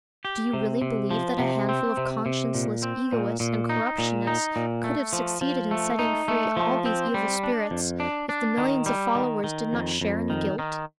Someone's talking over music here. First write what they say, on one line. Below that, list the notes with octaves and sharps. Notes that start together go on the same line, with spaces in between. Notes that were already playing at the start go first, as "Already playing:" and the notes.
Do you really believe that a handful of conscienceless egoists and corruptionists could have succeeded in setting free all these evil spirits, if the millions of followers did not share in the guilt?
G4
C3
C3
F3
C3
C4
C3
C3
A#2
C4
A#2
A#2
D#4
A#2
D#4
A#2
A3
F3
F3
A3
D#4
A3
F3
C4
G3
D4
F2
D4
D4
D#3
G3
D#3
D#3
F2
F2
D#3
D#3